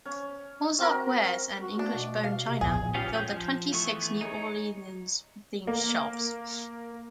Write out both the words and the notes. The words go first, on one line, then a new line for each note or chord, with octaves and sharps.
Ozark wares and English bone china filled the twenty six New Orleans themed shops.
C#4
C4 F#4 A#4
F#4
A3 D4
B2
F5
C3
A#1 E2 G#4
B3 C#4 F4 G4 F5
G#4 G6
F3
E3 A3 B3 G#4 C#6
D#4 G#4 C#5
A#3